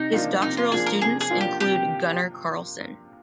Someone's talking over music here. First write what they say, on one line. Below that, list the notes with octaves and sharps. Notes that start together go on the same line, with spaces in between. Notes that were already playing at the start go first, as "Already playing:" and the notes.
His doctoral students include Gunnar Carlsson.
Already playing: C3 D#4
F3 A#3 D4 F4
C3 D#4
F4
F3 A#3 D4 F4 G#4
A#4
C3 G#4
G#4
F3 A#3 D4 F4
G4
C3 G4